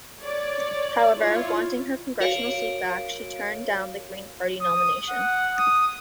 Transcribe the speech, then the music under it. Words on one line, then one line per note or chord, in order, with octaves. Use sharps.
However, wanting her congressional seat back, she turned down the Green Party nomination.
C#5 D5
E4 F4 C#5
F#4 A#4 C#5 F5 D7
D#6
F#5
D#6